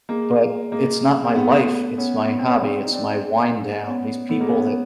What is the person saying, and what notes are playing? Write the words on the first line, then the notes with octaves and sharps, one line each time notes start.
but it's not my life, it's my hobby, it's my wind-down these people that
G#3 A#3
G#3 A#3
C4
A3 B3
B3 C#4
B3
C4
C#4
C4 D4
D#4
C4 D4
B3 C#4
A3 B3
G#3 A#3
B3 C#4